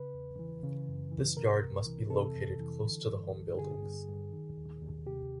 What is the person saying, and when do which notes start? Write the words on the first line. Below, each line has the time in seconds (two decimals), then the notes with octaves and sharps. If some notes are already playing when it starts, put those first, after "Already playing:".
This yard must be located close to the home buildings.
Already playing: C#3 B4
0.14 E2
0.39 E3
0.63 C#3
0.88 F#2
1.12 E3
1.37 C3 A#4
1.62 C2
1.86 E3
2.10 C3 A4
2.35 F2
2.60 E3
2.85 D3
3.09 G2
3.34 G2
3.59 D3 G#4
3.83 G2
4.08 G2
4.33 D#3
4.57 D#2
4.82 D#2
5.06 C3 G4